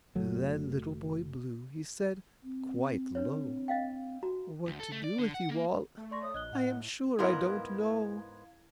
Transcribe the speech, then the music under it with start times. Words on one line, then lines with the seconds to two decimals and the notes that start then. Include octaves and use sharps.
Then Little Boy Blue, he said, quite low, "What to do with you all I am sure I don't know."
0.15 F#1 F#3 A3
2.43 C4
3.15 D4 B4 C#5
3.68 D#5 F5 G5
4.23 F#4 A#5
4.67 D2
4.80 A4
4.92 A3
5.04 D5
5.18 D3
5.34 F#5
5.50 A#3
5.97 A3
6.11 D5 C6 C#6 A#6
6.23 C#5 D#6
6.34 A#1 D#5 F#6 G7
6.52 A2 F#5
7.19 G#2 B3 E4 A#4 F5 G#6